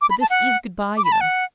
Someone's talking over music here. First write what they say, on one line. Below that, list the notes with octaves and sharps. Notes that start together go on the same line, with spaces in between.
But this IS good-bye, you know.
D6
B5
A5
F#5
D6
B5
A5
F#5